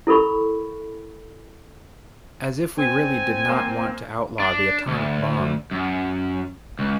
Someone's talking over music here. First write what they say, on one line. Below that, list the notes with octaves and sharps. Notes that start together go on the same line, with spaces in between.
As if we really did not want to outlaw the atomic bomb!
E4 A4 A#4 B5 C#6
C4 G#5
A#3 C5
D4
D2
F#2
C#2